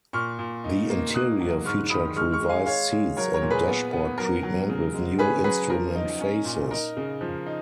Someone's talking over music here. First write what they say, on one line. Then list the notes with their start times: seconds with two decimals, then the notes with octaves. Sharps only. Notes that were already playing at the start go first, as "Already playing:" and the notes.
The interior featured revised seats and dashboard treatment, with new instrument faces.
0.13 A#2 C#6 F6
0.39 A#2
0.64 D#4
0.90 A#3
1.14 D#4 D#6 F#6
1.40 F#3
1.65 G#2 C#6 F6
1.90 D#3 B5 D#6
2.16 G#3 C#6 F6
2.32 C#6 F6
2.41 G#3
2.49 F5 G#5
2.66 G#3 C#5 F5
2.91 G#3
3.17 F#3 A#4 C#5
3.34 A#4 C#5
3.42 A#2
3.50 G#4 B4
3.68 B3
3.93 B3
4.18 F#3 A#4
4.43 F#3
4.69 C#3
4.94 G#3
5.19 C#4 G#4 B4
5.44 F#3 G#4 B4
5.69 F3 A#4
5.95 D#4
6.21 C#4
6.45 A#2
6.71 D#4 A#4
6.97 C#3
7.21 F3
7.46 D#4